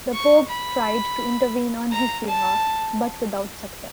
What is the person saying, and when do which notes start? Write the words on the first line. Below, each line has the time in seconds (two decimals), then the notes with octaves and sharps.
The pope tried to intervene on his behalf, but without success.
0.13 C#6
0.48 B5
1.92 A#5
2.28 A5